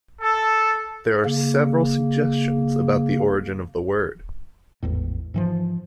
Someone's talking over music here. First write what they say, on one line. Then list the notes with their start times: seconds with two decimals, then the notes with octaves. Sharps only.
There are several suggestions about the origin of the word.
0.21 A4
1.25 C#3 A#3
4.83 G#1 E2 A2
5.34 G#2 E3 F3